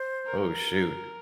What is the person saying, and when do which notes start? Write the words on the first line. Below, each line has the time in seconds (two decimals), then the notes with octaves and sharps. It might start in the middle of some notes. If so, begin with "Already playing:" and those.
oh, shoot.
Already playing: C5
0.27 A#4